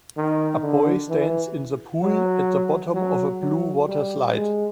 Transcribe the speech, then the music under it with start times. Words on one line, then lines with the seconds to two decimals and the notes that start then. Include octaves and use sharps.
A boy stands in the pool at the bottom of a blue water slide.
0.17 D#3
0.62 D3
1.09 E3
2.02 F#3
2.94 F#3
3.41 F#3
3.87 G3
4.33 G#3